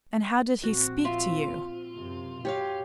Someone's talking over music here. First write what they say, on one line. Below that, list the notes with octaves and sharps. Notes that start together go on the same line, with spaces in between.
'And how did he speak to you?'
A#1 C4 F#4
F4 E5
F#2 C3
B2 G4 C#5 F5